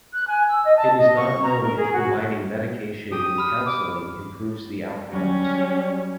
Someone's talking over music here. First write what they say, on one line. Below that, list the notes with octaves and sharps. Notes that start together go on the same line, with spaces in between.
It is not known if combining medication with counseling improves the outcomes.
F#6
G#5
E6
D#5
A5
D#5
C#6
A#5
A#4
G#4
F#4
G4 D#6
B5 F6
D6
F#3 G3 C#4